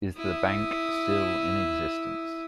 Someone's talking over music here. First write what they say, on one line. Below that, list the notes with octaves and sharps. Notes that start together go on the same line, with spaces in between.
Is the bank still in existence?
E4 D#6